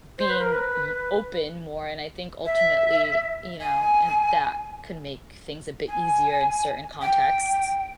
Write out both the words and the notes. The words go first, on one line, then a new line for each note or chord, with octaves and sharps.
being y open more and I think ultimately, you know and that can make things a bit easier in certain contexts.
C5
B4
A#4
B4
E5
G#5
G#5
G5